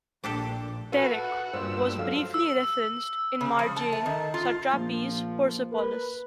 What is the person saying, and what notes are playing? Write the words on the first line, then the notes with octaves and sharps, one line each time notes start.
"Derrick" was briefly referenced in Marjane Satrapi's "Persepolis".
A#1 D4 G4 A4
F#4 A4 B4
F#5
G2 A#2 C5 E6
F#3 A4 F5
E6
C#3
F3
A5
A3
D#3
F4
A#1 F3 A#3
A#4 B4